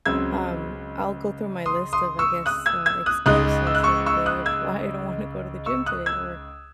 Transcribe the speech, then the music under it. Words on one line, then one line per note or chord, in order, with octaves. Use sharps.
Um, I'll go through my list of, I guess, uh, excuses every day of why I don't wanna go to the gym today, or
C#2 C#3 F#3 C4 E6 G#6
C6 D#6
C6 D#6
C#6 E6
D#6 F#6
E6 G#6
E6 G#6
D#6 F#6
C#2 C#3 G#3 D#4 D#6 F#6
E6
F#6
C#6 E6
C#6 E6
D#6 F#6
E6 G#6
C#6 E6
D#6 F#6
E6 G#6